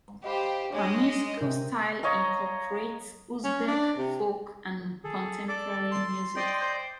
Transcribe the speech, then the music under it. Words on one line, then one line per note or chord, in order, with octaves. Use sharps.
Her musical style incorporates Uzbek folk and contemporary music.
G4 C5 D#5 F5 B5
G#3 D4 C#5 D#5 D6 G#6
C3 A#4 G6
C#5 D#5 F5 A#5
C#4
D4
C3
G#4 A4
A4 D5 D6
C6
C5 D5 D#5 G5
C5